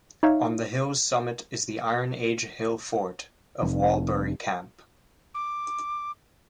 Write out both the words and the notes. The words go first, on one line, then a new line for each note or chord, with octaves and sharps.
On the hill's summit is the Iron Age hill fort of Walbury Camp.
D#4 C#5 E5 F5
F1
D6